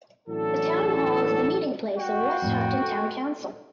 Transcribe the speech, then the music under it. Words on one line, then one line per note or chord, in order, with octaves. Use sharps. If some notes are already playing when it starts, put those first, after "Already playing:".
The town hall is the meeting place of Westhoughton Town Council.
A2 E3 F#3 C#4 D4 A4
F#4 G5
F2 A2
A4